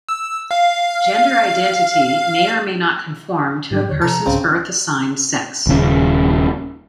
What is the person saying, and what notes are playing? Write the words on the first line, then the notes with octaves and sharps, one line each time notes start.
Gender identity may or may not conform to a person's birth assigned sex.
E6
F5
G#2 F#3 G3 G4
E2 D3 E3 C#5
C3 F3 A4 A#5
C2 G#2 C#3 C4
D#1 C#3 C#4